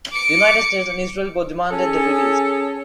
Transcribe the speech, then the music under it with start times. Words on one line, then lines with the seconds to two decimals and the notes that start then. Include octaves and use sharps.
The United States and Israel both demanded their release.
0.13 D6 C#7
1.71 C#4 G#4 A4